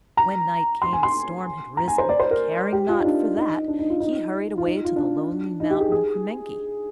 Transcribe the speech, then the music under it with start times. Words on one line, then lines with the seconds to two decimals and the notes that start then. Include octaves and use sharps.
When night came a storm had risen, but caring not for that he hurried away to the lonely mountain Kremenki.
0.17 A#5
0.82 C6
0.93 G#5
1.03 C6
1.77 A#5
1.88 G#5
1.98 C5
2.09 D5
2.19 C5
2.31 A#4
2.72 G4
2.89 F4
2.99 D#4
3.05 D4
3.36 D#4
3.68 D4
3.79 D#4
3.90 F4
4.00 D#4
4.58 F4
4.64 D#4
4.85 F4
4.96 D4
5.60 D#4
5.70 G4
5.81 G#4
5.92 G#4